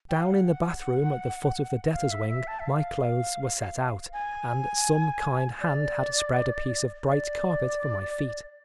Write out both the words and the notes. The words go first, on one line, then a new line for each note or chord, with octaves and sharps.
Down in the bathroom at the foot of the debtors' wing my clothes were set out, and some kind hand had spread a piece of bright carpet for my feet.
G5
F5
F#5
F5
E5
E5
A5
E5
F5
G#5
D5
D5